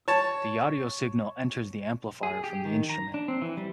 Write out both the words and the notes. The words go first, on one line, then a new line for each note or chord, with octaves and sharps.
The audio signal enters the amplifier from the instrument.
C#5 A5
G#4
G4
D#3
A#5
D4
C4
E3
G3